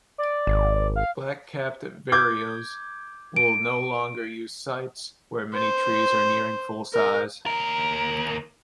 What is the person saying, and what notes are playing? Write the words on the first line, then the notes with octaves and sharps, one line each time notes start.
Black-capped vireos will no longer use sites where many trees are nearing full size.
D5
G#1
F5
D6 G6 G#6
D7
C5
A#4
D#2 A#4